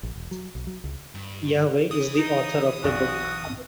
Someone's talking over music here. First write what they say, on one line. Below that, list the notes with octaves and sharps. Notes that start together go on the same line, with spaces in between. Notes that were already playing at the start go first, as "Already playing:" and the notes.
Yahweh is the author of the book.
A#1
E1
F#3
B1
F#3
C#2
G2
E3 D#6
D#4
B1 F#4 D5